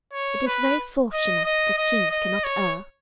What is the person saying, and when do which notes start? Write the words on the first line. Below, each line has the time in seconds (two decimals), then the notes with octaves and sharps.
It is very fortunate that kings cannot err.
0.14 C#5
0.47 B4
1.13 D#5
1.45 D#5
1.78 D#5
2.11 D#5
2.44 C#5